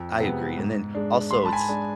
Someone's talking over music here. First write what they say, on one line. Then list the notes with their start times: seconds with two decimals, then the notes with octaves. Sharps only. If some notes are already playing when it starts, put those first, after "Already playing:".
I agree, and then, also, it's
Already playing: F2
0.19 C3 G#3 B3
0.57 G#2
0.95 G#3 D4
1.31 G#2 C6
1.39 B5
1.45 A5
1.52 G#5 B5
1.68 G#3 D4